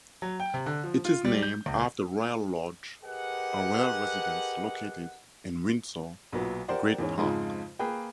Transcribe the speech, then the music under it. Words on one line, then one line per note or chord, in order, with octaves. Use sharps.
It is named after Royal Lodge, a royal residence located in Windsor Great Park.
F#3
G5
C3
D3
F3
F4
G3
G6
C#2
G4 G#4 A#4 B4 D#5 F#5
B1 A#2 F#3 B3
G4 A#4 C5 D5 F#5
E2 G#2 E3 C#4
F2 G#2 C#3 F3 G#3
A#3 G#4 B4 G5